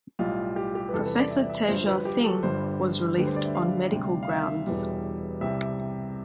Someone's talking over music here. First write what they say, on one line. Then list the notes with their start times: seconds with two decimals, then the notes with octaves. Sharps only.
Professor Teja Singh was released on medical grounds.
0.19 B1 A2 G3 F4
0.56 G4
0.75 G4
0.89 B4
0.93 E2 C3 G3 A4
1.06 B4
1.19 D5
1.31 E5
1.50 E5
1.68 G1 G2 F3 C5
1.87 B4
2.05 G4
2.24 A4
2.43 G1 G2 D3 G3 C5
3.17 D2 D3 G3 B4
3.27 C5
3.36 D5
3.45 E5
3.55 F5
3.92 D2 C3 G3
4.23 F5
4.29 E5
4.67 E1 E2 B2 G3
5.41 C2 C3 G3 E5